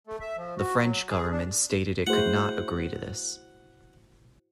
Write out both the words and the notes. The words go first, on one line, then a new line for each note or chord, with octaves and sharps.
The French government stated it could not agree to this.
A3
E5
F3
F#4
F#3
G#4
D4
A3 E4 F#4 G#4 C5 F#5